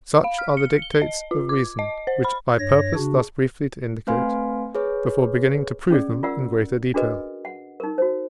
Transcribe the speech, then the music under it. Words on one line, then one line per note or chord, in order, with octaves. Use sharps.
Such are the dictates of reason, which I purposed thus briefly to indicate, before beginning to prove them in greater detail.
F5
F6
C#7
G7
D#5
F4
D6
D#5
C5
B5
G2 C#5 A#6
C#3 D4 F#4
A3 C4 B4 F5 G#5 C6
G#4 B4 C#5
C#4 G#4 D5
F4 A#4 D5 F#5 E6
D4 F#4 G#4 A#4 B4 D#5
F#5
D#4 A#4
F#4 C5